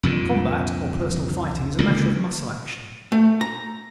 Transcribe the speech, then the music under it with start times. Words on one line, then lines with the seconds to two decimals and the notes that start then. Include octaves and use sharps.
Combat or personal fighting is a matter of muscle-action.
0.03 C2 F2 A#2 D3
1.79 C#2 D3 A#3
3.12 A3
3.41 A#5